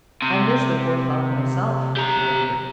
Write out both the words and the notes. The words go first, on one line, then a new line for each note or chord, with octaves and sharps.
I miss the poor fellow myself, my dear.
C3
G4 A#5